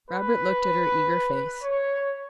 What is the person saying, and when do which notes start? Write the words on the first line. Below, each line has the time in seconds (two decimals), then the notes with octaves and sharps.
Robert looked at her eager face.
0.10 B4
1.63 C#5